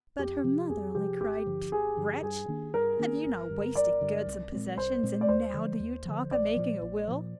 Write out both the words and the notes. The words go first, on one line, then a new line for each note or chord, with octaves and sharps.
But her mother only cried: 'Wretch! have you not wasted goods and possessions, and now do you talk of making a will?'
F2 G4
C3 F3
F2 G#4
C3 F3 G4
G#1 G4
G2 D3 F3
G#1 G#4
G2 D3 F3
G2 G#4
D#3 A#3 D4
G2 A#4
D#3 A#3 D4
G1
G2 D3
G1 D5
G2 D3
C2
A#2 G#3 C4
C2 C5
A#2 G#3 C4
D5
D#2 C5
D3 F3
D#2
D3 F3
A#1 D5
A#2 F3
A#1
A#2 F3